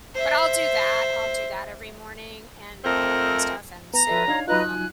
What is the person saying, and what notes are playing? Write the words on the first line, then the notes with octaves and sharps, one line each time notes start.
but I'll do that, I'll do that every morning and all that kinda stuff, and so, um,
C5 E5
F2 A3 C4 A#4
B3 A#5
F3 F4 A4 B4 E5
D4 D#4 C#5 F5
F#3 D#4 F4 B4 D#5 A#5 F#6
G#5